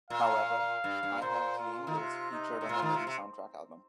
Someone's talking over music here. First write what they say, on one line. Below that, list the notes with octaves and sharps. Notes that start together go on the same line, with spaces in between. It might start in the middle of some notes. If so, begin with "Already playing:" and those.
However "I Have Dreamed" is featured on the movie soundtrack album.
A#2 F5
G2
G2
A#2 C5
F4
D#3
C3 F4
D#4
C3
A#2 F4
D#3
C3
C3